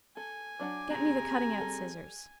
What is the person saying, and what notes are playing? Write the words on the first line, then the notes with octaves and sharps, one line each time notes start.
Get me the cutting-out scissors.'
A4 G#5
F#3 D4 F#5 D6
C4 G4 G#4 A#5
G3 A4